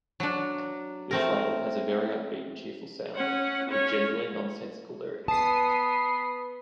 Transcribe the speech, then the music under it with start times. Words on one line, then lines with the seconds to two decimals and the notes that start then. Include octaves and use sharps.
This label has a very upbeat and cheerful sound, with generally nonsensical lyrics.
0.20 F#3 D4
1.11 A3 C4 A#4
3.15 C#4 F#5
3.69 C#4 C#5
5.28 B3 A5 B5 D#6 C7